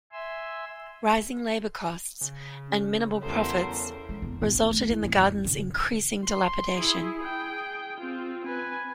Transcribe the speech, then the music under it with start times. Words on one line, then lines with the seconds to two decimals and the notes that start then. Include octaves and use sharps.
Rising labour costs and minimal profits resulted in the gardens' increasing dilapidation.
0.12 E5 G#5 C6 E6
2.21 C#3
2.69 C#4
3.23 E2 G3 A4 A#4 C5
4.09 G#3
4.22 E2
4.42 E2
4.55 C#4
4.70 A3
4.90 E4
5.04 F2
5.19 F#2
5.45 C#3
6.26 C6
6.77 E4 G#4
7.20 G#4 G5
7.97 C4 F4
8.45 B4 G#5